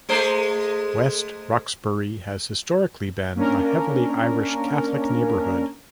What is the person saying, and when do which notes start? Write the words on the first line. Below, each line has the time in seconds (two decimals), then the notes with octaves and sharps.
West Roxbury has historically been a heavily Irish Catholic neighborhood.
0.09 G#3 A3 C5
3.35 A#3 C#4 D4 A#4